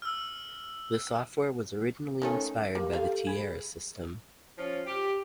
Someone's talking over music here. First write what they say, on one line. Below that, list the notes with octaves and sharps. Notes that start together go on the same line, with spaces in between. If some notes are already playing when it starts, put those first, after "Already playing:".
The software was originally inspired by the Tierra system.
E6 F6
D#3 A3 C#4
A#3 G4
G4 A4 F5
G#4 B5
F3 C#4 F4
G4